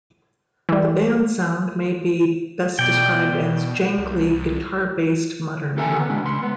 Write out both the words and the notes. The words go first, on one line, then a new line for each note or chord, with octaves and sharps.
The band's sound may be best described as jangly guitar-based modern rock.
E3 G3
B2 D5 G5
C2
G4 A4 A#4 E5 G5 G#5
B3 G#4
A#2 G#3 D4
C#2 C6
G#3 B3